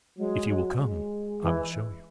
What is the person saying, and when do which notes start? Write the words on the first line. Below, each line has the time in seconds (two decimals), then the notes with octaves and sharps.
'If you will come, I will show you.'
0.18 F#3 G#3
0.49 F#3
0.80 G#3
1.42 E3